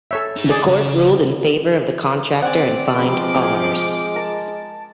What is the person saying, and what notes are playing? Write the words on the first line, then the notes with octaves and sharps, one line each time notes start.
The court ruled in favor of the contractor and fined Rs.
A4 C#5 E5
G#3 D#4
G#4 D5
C#3
C4 D5 F#5 G#5
D#3 F3 G#3 C4 B5 D6
G#4
A#4 A5